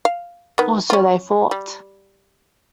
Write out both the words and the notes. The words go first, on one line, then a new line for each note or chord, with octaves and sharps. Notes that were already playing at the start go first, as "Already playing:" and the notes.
Or so they thought.
F5
D#3 B3
C#4 F4
G3